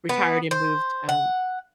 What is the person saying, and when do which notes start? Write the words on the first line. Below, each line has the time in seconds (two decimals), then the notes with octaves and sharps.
retired and moved, um,
0.09 B3
0.51 C5
1.09 F#5